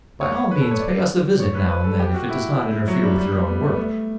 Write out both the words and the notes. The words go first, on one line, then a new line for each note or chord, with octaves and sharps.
By all means pay us a visit now and then, if it does not interfere with your own work.
C#5
B4
A4
C#5
D5
C#5
B4
B4
A4
G4
F#4
E4
F#3
G3
G3
G3
B3
A3
B3
A3